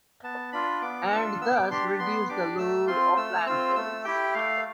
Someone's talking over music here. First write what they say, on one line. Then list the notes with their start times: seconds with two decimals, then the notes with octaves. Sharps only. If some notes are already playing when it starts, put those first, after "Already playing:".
And thus reduce the load of landfills.
0.23 B3 A5
0.52 D4 F4 B5
0.82 B3 D6
1.11 D4 F4 E6
1.41 B3 E6
1.56 D6
1.71 D4 G4 C6
1.99 B3 C6
2.29 D4 G4 D6
2.59 A3 E6
2.87 C4 F4 C6
3.17 A3 E6
3.35 F6
3.46 C4 F4 E6
3.76 A3 E6
4.05 E4 G4 G5
4.34 A3 F5